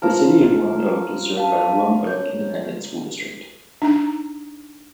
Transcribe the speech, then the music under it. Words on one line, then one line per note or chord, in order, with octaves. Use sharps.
The city of Lone Oak is served by the Lone Oak Independent School District.
F3 A#4
F5 A5
C#5 G6
D4 D#4 A#5